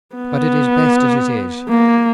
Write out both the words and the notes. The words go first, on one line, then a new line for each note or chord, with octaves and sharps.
But it is best as it is.
B3
A#3